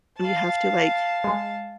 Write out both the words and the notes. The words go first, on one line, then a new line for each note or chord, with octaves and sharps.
you have to like,
F5 A5
G#3